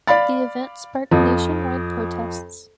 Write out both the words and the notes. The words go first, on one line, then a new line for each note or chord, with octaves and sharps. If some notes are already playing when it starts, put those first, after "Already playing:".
The event sparked nationwide protests.
D5 F5 B5 A6
F2 F3